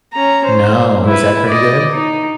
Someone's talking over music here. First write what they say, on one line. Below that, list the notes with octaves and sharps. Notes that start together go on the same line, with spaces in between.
No, is that pretty good?
C#4 A#5
C5
E4 B4
D5 D#5
D#4